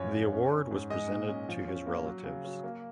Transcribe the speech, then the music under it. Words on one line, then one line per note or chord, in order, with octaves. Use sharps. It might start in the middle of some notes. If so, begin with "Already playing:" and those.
The award was presented to his relatives.
Already playing: F#2 F3 C#5
F#2
C#4
C#4
G#2
G#3 D#5
A#2
C#4
F3
C#4
A#3
F#3
C#3
F#3
A#3